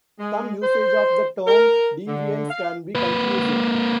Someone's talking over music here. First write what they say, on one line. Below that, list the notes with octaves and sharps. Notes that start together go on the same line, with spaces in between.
Some usage of the term "deviance" can be confusing.
G#3
C5
A#4
D3
F5
A#3 B4